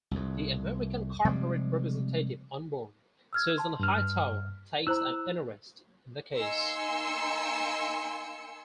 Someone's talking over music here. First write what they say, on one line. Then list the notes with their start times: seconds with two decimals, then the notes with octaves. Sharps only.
The American corporate representative on board, Susan Hightower, takes an interest in the case.
0.11 C2 F2
1.25 C3 F3 G3 G#3
3.33 E6 F6 G#6
3.58 A5 C6
3.80 G2 F6
4.87 E4 C5 A#5 E6 F#6
6.37 A#3 D#4 G#5 C6 E6 C#7